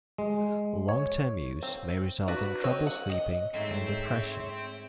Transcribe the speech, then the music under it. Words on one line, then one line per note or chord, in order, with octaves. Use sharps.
Long term use may result in trouble sleeping and depression.
G#3
C#5
C4
F#4 B4 D5
C4 C#5 D#5
F#5
D#5
G#2 A3 C4 C#5 E5